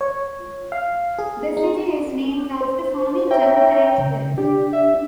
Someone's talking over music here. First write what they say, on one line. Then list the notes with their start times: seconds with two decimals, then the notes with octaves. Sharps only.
The city is named after Farmington, Connecticut.
0.01 C#5
0.72 F5
1.19 G#4
1.57 D#4
2.60 C5
3.31 C#5 E5 G5 A#5
3.98 C#3
4.38 D4 G4
4.73 E5